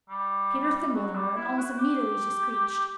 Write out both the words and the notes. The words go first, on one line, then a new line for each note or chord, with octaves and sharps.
Peter thimbled her, and almost immediately she screeched.
G3
F#3
G3
E4
F#4
G4